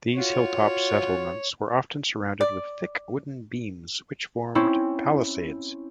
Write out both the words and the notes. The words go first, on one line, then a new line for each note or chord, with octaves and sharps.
These hilltop settlements were often surrounded with thick wooden beams which formed palisades.
F4 F#4 C#5
D5
C4 C#4 E4